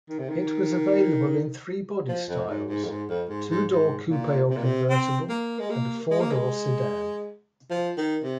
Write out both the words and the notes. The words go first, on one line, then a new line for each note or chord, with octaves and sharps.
It was available in three bodystyles: two-door coupe or convertible and a four-door sedan.
D#3
C3
D#3
F3
F2
G#2
G#2
F2
G#2
F2
G#2
G#2
G#2
A#2
C3
A#2
C3
C4
A#3
G#3
A#3
G#3
A#3
G#3
F3
D#3
C3